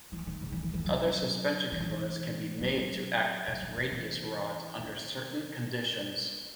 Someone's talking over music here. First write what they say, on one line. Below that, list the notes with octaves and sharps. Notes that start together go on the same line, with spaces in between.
Other suspension components can be made to act as radius rods under certain conditions.
E3
D#3
C#3
E3
E3
E3
F#3
E3
F#3
C3
D#3
E3
E3
D#3